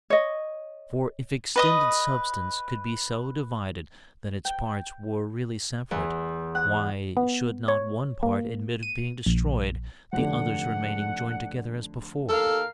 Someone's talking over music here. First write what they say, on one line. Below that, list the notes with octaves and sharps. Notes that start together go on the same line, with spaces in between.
For if extended substance could be so divided that its parts were really separate, why should not one part admit of being destroyed, the others remaining joined together as before?
C#5 D#5
B4 D#5 D#6
G5
E2
F#5
B3
C#5
A#3
D#7
A#1
F1 D3 F#5
D#2 A4 A#4 F5